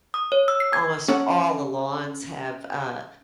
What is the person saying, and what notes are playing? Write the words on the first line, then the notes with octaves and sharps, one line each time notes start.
almost all the lawns have, uh,
D#6
C#5
E6
C7
G#6
C#4 A4 F#5